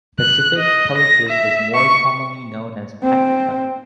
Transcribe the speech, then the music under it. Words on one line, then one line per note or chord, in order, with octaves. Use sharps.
Pacific Telesis is more commonly known as PacTel.
F#6
D#5
A#6
E5
C#6
C4